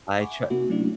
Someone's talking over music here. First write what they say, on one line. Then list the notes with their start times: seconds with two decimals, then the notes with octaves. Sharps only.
I tr
0.19 E5 F#5 G#5 B5 C#6 D6
0.50 C3 A#3 C4 D#4 F#4
0.70 F#3 A3 C#4 D4 E4